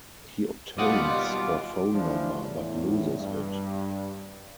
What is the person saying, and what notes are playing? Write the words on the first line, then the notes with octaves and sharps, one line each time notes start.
He obtains her phone number but loses it.
D#2 B2 G3 F4 D#5 F#5 D6
E3 F3 G3 D4
E2 A2
G2